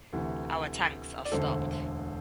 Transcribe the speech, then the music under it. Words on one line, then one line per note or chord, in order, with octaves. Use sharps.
Our tanks are stopped.
D2 C3 E3
D5
E1 D2 D3 A4 C5